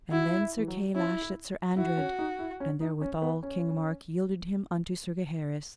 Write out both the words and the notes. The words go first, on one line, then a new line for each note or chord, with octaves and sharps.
And then Sir Kay lashed at Sir Andred, and therewithal King Mark yielded him unto Sir Gaheris.
E4 F#4
E4
E3
F#3
C#4 E4
E4
E4 F#4
C#4
D#4
E4
C#4
D#4
C#4
B3
C#4